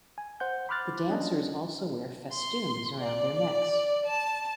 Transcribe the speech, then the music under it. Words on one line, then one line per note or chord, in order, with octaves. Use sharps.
The dancers also wear festoons around their necks.
G#5
C5 F#5 G6
B5 C6 D6 F6 F#6 A6
F#3 C#4 D4 D#5
C6
D5
A5